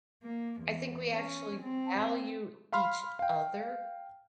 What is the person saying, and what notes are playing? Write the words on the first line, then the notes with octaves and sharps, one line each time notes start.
I think we actually value each other
A#3
E2
C#4
C4
F5 B5 C6 F6
F5 G5